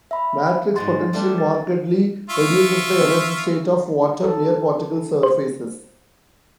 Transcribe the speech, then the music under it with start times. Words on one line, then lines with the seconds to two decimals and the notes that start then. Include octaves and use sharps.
Matrix potential markedly reduces the energy state of water near particle surfaces.
0.11 E5 B5
0.76 G#2 G#3 F#4 C6 A6
1.13 G3 A3 D4
1.38 A6
2.30 F4 E5 C#6
4.24 A4
5.23 C5